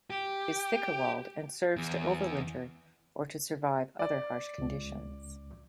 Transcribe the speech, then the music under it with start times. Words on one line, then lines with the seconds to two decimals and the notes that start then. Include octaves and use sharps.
It is thicker-walled and serves to overwinter or to survive other harsh conditions.
0.10 G4
1.76 E2
3.99 D5
4.58 C#2